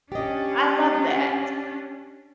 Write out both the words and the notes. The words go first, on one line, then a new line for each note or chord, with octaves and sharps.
I love that.
C#4 D4 G4 D#5